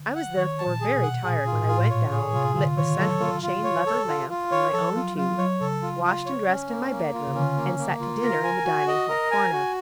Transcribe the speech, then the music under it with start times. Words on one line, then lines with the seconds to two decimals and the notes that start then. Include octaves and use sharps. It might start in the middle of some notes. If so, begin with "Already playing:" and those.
I was therefore very tired when I went down, lit the central chain-lever lamp and my own two, washed and dressed in my bedroom, and sat to dinner in the dining-hall corner.
Already playing: D3
0.15 F#5
0.37 D#3 C#5
0.59 A5
0.66 A#2
0.81 G#4
0.95 B2
1.03 F#5
1.24 A#2 G#4
1.46 F4
1.53 A2
1.68 F4
1.74 A2
1.82 A#2
1.90 C#5
2.12 G#4
2.33 C3 F4
2.55 D3 F4
2.77 D#3 C#5
2.99 F#3 A4
3.21 F4
3.43 F4
3.64 C#5
3.86 A4
4.08 F4
4.30 F4
4.52 C#5
4.73 F3 A4
4.95 F#3 F4
5.17 F#3 F4
5.38 F#3 C#5
5.61 C#3 A4
5.82 F4
6.04 F4
6.26 C#5
6.48 C#4
6.69 A#3
6.91 A#3
7.13 F4
7.27 C#3
7.35 D3 C#4
7.56 A#3
7.78 A#3
8.00 F4
8.22 A#4
8.44 G#5
8.65 F#4
8.88 D#5
9.09 A#4
9.31 G#5
9.53 F#4